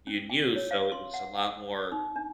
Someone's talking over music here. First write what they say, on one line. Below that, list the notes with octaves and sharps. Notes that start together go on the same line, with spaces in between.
you knew, so it was a lot more
C#4
G5
C#5
F5
C6
F#5
F#5
D#4
D4